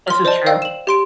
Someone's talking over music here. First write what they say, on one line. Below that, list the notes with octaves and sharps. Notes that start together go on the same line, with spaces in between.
This is true.
C6 F6
C5 D5 D#5 A5
D5 F5 G5 E6
E7 F#7
G4 C6 D7